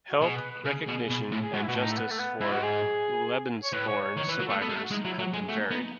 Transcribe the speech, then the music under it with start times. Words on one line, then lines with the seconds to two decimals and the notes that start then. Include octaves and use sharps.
Help, recognition, and justice for "Lebensborn" survivors have been varied.
0.10 F#4
0.21 B2 G#4
0.36 B4
0.50 B4
0.65 C#3 G#4
0.88 B2
1.10 B2
1.32 A2
1.43 G#4
1.53 G#2 F#4
1.63 E4
1.68 B2 F#4
1.75 A2 C#4
1.82 D#4
1.91 A3
1.97 B3
2.11 A3
2.19 B3
2.40 G#2 E4
2.52 F#4
2.63 G#4
3.63 C#5
3.72 A2 B4
3.88 C#5
4.02 C#5
4.17 D#3 C#5
4.28 E3
4.31 B4
4.39 F#3
4.46 A3 A4
4.61 B3 A4
4.69 G#3
4.75 A3
4.83 F#4
4.91 G#3
4.94 D#4
5.05 F#3 E4
5.19 F#3 F#4
5.33 G#3 G#4
5.48 A3 F#4
5.60 D#4
5.67 C#4
5.70 B3 D#4
5.81 D#4